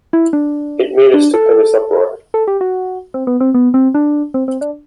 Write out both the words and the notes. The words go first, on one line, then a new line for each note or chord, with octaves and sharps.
It made a stupendous uproar.
E4
D4
D4
A4
A4
G4
F#4
C4
B3
C4
B3
C4
D4
C4
C4
D4